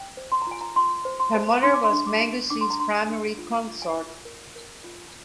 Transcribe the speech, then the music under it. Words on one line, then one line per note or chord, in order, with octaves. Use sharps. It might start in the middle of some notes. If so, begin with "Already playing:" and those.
Her mother was Manggusi's primary consort.
Already playing: G5
C5
C6
A#5
F4 G#5
A#5
F4 C6
C5
C6
C5
D4 C6
D6
C6
D4
D6
G4
D4 D6
C6
A#5
D4 C6
D4
F4
F4
G#5
F4
A#4
A#4
F4